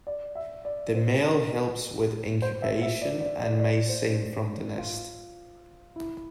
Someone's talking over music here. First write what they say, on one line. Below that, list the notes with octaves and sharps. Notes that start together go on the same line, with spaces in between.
The male helps with incubation and may sing from the nest.
D5
E5
D5
C5
A#4
C5
E5
E5
D5
D5
D5
D5
C5
F4
E4